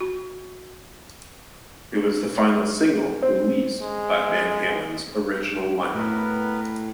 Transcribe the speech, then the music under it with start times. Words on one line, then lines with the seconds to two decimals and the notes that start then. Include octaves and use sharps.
It was the final single released by Van Halen's original lineup.
0.01 F#4
3.22 C4
3.81 G#3
5.95 A2 B3 A#4 B4